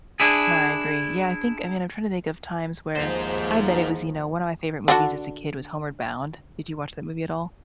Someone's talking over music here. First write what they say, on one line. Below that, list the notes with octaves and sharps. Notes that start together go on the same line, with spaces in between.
No, I agree. Yeah, I think I mean, I'm trying to think of times where I bet it was You know, one of my favorite movies as a kid was Homeward Bound. Did you watch that movie at all?
D4 E4 G#4
D#2 G#2 F3 D#4 C5
D3 D4 F#4